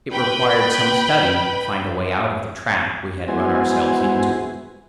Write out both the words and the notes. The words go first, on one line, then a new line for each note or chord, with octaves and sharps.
It required some study to find a way out of the trap we had run ourselves into.
B4 G5 B5
G#3 B3 E4 F#4 C5 G#5